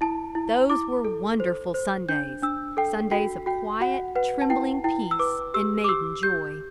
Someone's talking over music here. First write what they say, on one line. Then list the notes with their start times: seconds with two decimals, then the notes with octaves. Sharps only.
Those were wonderful Sundays--Sundays of quiet, trembling peace and maiden joy.
0.01 E4 A5
0.35 E4
0.70 E4 D6
1.05 A4
1.40 C5
1.74 C5
2.09 D4 G6
2.42 D4 E6
2.77 A4 G5
3.11 F#4 G5
3.46 F#4 G5
3.81 F#4 F#5
4.15 B4 F#5
4.41 A5
4.50 E4 G5
4.84 E4 G5
5.11 E6
5.19 B4 D6
5.54 G4 E6
5.84 D6
5.89 G4 E6
6.23 G4 G6